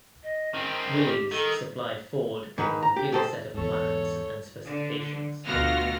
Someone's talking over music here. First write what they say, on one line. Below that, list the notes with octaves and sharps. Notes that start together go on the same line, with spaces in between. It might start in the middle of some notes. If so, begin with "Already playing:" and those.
Willys supplied Ford with a complete set of plans and specifications.
D#5
D#3 C4 C#4
G4
D#3 A4
G#2 D#3 B4
A#5
G4
G#2 G4 A4 B4 C5
E2 G#2 A4 C#5
D3
D2 B2 F4 F#4 F6 A#6